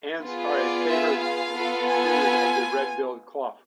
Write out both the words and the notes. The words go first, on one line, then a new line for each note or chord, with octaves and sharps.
Ants are a favoured food of the red-billed chough.
B3 F4 G#4
D5
E5
F5
B3 F4 A4
G#5